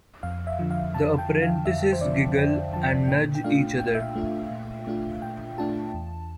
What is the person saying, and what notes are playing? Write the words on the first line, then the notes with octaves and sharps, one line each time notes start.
The apprentices giggle, and nudge each other.
F2 F5
E5
D3 F3
F5
F2 A5
G5
D3 F3
F5
F2 E5
C5
D3 F3 D5
F2 G5
D3 F3 A5
A#2 G5
G5
A3 D4 F4 F5
A#2 G5
F5
E5
F5
A3 D4 F4
A#2
A3 D4 F4
A#2 G5
A3 D4 F4 A5
E2